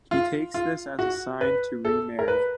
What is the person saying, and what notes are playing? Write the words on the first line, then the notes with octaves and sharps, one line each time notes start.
He takes this as a sign to remarry.
F4
F4
F#4
B4
A4
A#4
B4